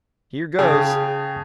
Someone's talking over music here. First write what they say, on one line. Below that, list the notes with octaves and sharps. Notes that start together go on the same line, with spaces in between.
"Here goes!"
C#3 G5 A5 D#6